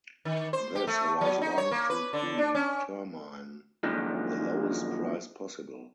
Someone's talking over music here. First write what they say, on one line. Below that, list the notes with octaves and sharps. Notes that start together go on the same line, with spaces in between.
This allows one to determine the lowest price possible.
D#3
C5
G4
A3
F#3
D#4
C#5
A#3
B4
D3
D4
C#4
F#2 A#2 D3 D#3 F3 G#3